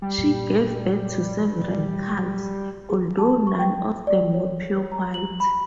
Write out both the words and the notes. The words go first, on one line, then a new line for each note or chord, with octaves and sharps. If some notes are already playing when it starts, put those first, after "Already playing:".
She gave birth to several calves, although none of them were pure white.
G3
F#2 A#2
D#1
G#4
A5
C#6
G5
D5
C#5
A#5
F#7
B5